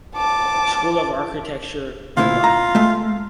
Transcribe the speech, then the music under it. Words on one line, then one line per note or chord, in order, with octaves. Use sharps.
School of Architecture, Mumbai.
A5 D6
D2 A#2 E4 F4
A#5
G#3 A3